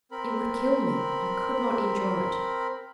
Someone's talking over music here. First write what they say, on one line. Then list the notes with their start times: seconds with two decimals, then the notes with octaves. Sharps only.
It would kill me; I could not endure it.
0.11 C4 A#4 B5